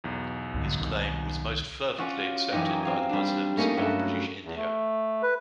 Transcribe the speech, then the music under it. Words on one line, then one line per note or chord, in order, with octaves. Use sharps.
His claim was most fervently accepted by the Muslims of British India.
B1 E2
C2 G#2 D3
C2 D#3
C#4 F4 F#4 D5 F5
F#2 E3 D#4 G4 D#5
C4 F5 G#5
G3 D4
A3 A#3 C#4 D#4
G2 F#3 A3 E5
E2
A3
B4